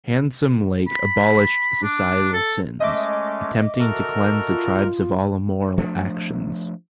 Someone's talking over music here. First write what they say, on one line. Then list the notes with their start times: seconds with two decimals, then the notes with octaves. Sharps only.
Handsome Lake abolished societal sins, attempting to cleanse the tribes of all immoral actions.
0.87 B5
1.82 D4
2.33 A4
2.80 G#3 A3 C#4 D#5 E5 D6
3.79 F#4 A4 A#4
4.48 F4
5.78 F3 A3 D4